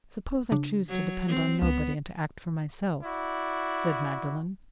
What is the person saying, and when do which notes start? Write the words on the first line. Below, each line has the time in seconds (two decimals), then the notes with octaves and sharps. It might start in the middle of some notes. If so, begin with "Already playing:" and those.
"Suppose I choose to depend on nobody, and to act for myself?" said Magdalen.
0.52 C#3 D4
0.88 F#3
1.29 C4
1.62 C#2 B3
3.03 E4 F#4 D5